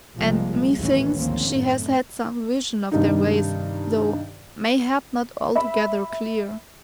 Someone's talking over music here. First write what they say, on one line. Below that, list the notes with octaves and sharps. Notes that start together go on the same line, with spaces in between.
And methinks she has had some vision of their ways, though mayhap not altogether clear.
A#1 C3 F3 G3 G#3 A#3
A1 D#2 E3 C#4
G#1 D2 F3 A#3 C4 C#4
F#2 A2
G2 C3 D#3 D#4
E5 B5